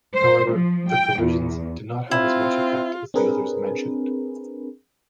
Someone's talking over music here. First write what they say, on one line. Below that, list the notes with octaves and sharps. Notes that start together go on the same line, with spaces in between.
However, the provisions did not have as much effect as the others mentioned.
C5
F3
G5
E2
C4 E4 F4
C4 D4 G#4 A#4 B4